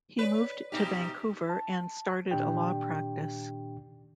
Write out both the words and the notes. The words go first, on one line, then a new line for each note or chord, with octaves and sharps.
He moved to Vancouver and started a law practice.
B4 C#5 D5
B2 D#4 G4
A5
A#2 D#3 D4 G4 G5